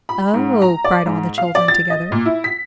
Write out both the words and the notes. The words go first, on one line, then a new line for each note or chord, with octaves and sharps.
"Oh!" cried all the children together.
B5
G#2
A#5
D5
G#2
F5
D5
A6
D#5
A#2
E4
B6